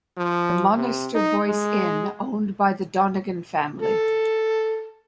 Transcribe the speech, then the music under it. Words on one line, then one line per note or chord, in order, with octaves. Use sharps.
The "Monasterboice Inn", owned by the Donegan family.
F3
C3
D#4
G#3
A4